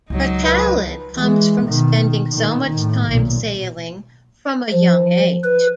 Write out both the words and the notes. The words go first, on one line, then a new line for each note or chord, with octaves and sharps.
Her talent comes from spending so much time sailing, from a young age.
C#2 F#3 D#4
D#3 F3 B4
E3 G#3
B2 D#3
A#2 D#3
A2
B1 A#2
F3
B4